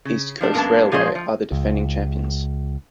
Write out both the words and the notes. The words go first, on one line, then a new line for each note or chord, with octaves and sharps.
East Coast Railway are the defending champions.
C#3
F3 G3 D4
F#2 G#3 A#3 B3 D4 A5
A#2 F3 C#4 G#4 C5 D#5
F3
C#2